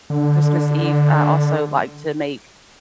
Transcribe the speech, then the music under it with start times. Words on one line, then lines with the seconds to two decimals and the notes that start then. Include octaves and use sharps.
Christmas Eve, I also like to make,
0.10 D3